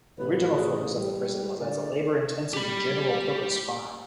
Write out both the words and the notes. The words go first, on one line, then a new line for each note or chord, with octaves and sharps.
The original focus of the prison was as a labor-intensive general-purpose farm.
A1 B4
G#4
G3
D3 D5
G4 B5